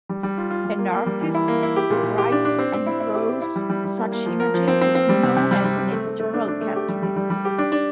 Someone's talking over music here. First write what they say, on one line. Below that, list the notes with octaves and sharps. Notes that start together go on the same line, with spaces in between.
An artist who writes and draws such images is known as an editorial cartoonist.
G3
G3
F4
F4
G3
A#3
A#3
G3
E3
E4
A#3
E4
G4
A#2
A#2
G4
D4
D4
C4
C4
E4
E4
G4
G4
E4
G3
G3
G3
A#3
A#3
F3
A#4
F3
C4
C4
C4
G3
C3
C3
G3
G3
C4
A3
A3
A3
D4
D4
A3
G4
G3
G3
G3
G3
G4
D4
D4